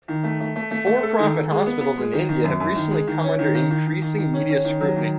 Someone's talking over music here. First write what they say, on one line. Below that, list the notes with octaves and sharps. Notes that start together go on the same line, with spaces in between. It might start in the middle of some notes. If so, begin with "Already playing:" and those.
For-profit hospitals in India have recently come under increasing media scrutiny.
D#3
A3
A3
A3
A3
A3
A4
D#3
D#3
G#3
B3
B3
G#3
D#3
D#3
F#2
F#2
D#3
G#3
D#3
C#4
D#3
D#3
D#3
D#3
D#3
D#3
C#4
C#4
D#3
F#3
D#3